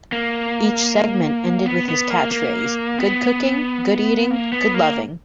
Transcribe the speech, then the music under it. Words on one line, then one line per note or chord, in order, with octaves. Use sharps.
Each segment ended with his catchphrase, Good cooking, good eating, good loving!
A#3
B3
B3
A#3
A#3
B3
A#3
B3
A#3